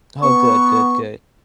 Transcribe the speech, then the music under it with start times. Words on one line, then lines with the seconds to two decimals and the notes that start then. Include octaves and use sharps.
Oh, good, good, good.
0.22 B3 C#6